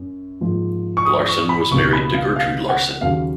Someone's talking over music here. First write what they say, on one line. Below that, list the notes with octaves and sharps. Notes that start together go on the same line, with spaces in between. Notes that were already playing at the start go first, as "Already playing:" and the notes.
Larson was married to Gertrude Larson.
Already playing: F#2
G#2 F3 A#3
C#6
D#6
C#6
B5
C#2 B2 A#3 C#6
B5
F5
F5
F#5
D#2 C#3 F#3 A#3 F5